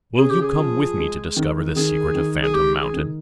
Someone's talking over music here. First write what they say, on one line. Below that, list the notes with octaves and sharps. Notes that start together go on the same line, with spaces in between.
Will you come with me to discover the secret of Phantom Mountain?
C#3 G#4
G4
G#4
F3
G#3
D#3
D#3 G#4
D#3
G#4
G#3 G4
G#4
D#3